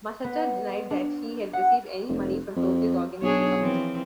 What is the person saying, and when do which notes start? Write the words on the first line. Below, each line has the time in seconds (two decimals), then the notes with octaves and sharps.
Massata denied that he had received any money from Tokyo's organizing committee.
0.24 B3
0.91 D4
1.53 F#5
2.09 F1
2.56 F2
3.22 B1 D4 G#4 C#5
3.59 E3 F3 C4